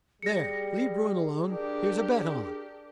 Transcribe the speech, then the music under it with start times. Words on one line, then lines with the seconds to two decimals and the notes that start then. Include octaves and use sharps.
"There, leave Bruin alone; here's a bet on."
0.22 G3 G#4 A#6 C#7
1.50 D4 G4 A#4